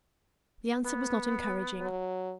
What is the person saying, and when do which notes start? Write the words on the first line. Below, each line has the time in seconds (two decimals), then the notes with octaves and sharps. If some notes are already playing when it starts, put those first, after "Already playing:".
The answer was not encouraging.
0.83 B3
1.81 F#3